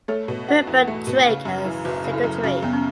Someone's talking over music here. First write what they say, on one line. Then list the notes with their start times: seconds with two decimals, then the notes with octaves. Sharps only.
Herbert Drake as secretary.
0.08 A3 A4 C#5
0.28 B2
0.48 F#4
0.67 E2
0.88 A3
1.07 B2
1.26 C#3
1.45 F#2
1.65 E3
1.85 F#1 F#4 B4
2.04 C#3
2.14 E4 A4
2.24 F#2
2.43 C#3 C#4 F#4
2.63 F#2 B3
2.73 C#4